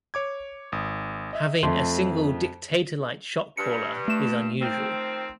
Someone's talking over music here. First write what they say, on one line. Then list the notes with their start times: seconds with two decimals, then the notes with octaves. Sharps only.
Having a single dictator-like shot caller is unusual.
0.14 C#5 D6 G#6
0.72 G#1 D#6
1.33 D#5 E5
1.63 F2 A3 C6
3.57 G2 C#7
4.08 A3 E7
4.60 D#3 F3 C4